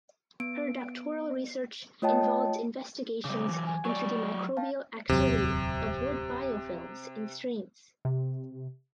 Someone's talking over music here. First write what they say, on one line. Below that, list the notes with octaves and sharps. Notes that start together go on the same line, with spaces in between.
Her doctoral research involved investigations into the microbial activity of wood biofilms in streams.
B3 D7
A3 F4 C#5 D#5 G5 A5
C#3 G3 D6
E3 F#3
G#5
F#3 D5 C#6
F5 G5 A5
D1 E2 C3 F#3
C3